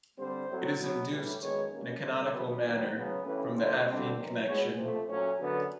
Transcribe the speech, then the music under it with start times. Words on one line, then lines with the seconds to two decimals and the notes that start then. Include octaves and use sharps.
It is induced, in a canonical manner, from the affine connection.
0.18 D3 G3 C4 C5
0.49 A2 F#3 A3 C4
0.79 B2 F#3 B3
1.11 A2 E3 G3
1.41 F#2 D#3 G#3 B3 C#5
1.71 B2 G3 A#3 C#4
2.02 G2 D3 G3 C4 C5
2.33 C3 D#3 F#3 B3 B4
2.64 F#2 D#3 F#3 B3 A#4
2.95 C#3 F#3 B3
3.25 G2 E3 A3 C#4 B4
3.55 G2 D3 F3 A#3 C5
3.86 D3 G3 C4
4.17 F#2 D#3 F#3 B3
4.48 B2 G#3 B3 C#5
4.78 C3 F3 A3 C5
5.09 A#2 F#3 A3 C#4
5.40 F#2 D3 F#3 B3